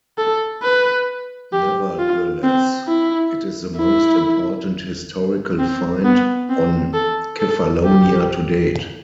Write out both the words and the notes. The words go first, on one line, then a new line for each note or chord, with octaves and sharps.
Nevertheless, it is the most important historical find on Kefalonia to date.
A4
B4
G4
F4
C4
E4
E4
C4
B3
C4
A4
A4
G4